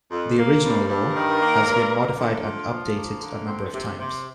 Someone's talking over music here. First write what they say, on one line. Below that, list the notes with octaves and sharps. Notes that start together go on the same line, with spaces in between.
The original law has been modified and updated a number of times.
F2
A#3
G2
G2
D#3 A#4
A#3
G2
A#3
D3
F4
F3
A#3
D3
C4
C3
C3